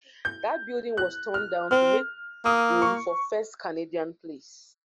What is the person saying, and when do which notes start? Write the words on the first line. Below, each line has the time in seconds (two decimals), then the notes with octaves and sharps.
That building was torn down to make room for First Canadian Place.
0.25 G6
0.97 F#6
1.34 F6
1.71 C4 F6
2.45 A#3 D#6
2.82 C#6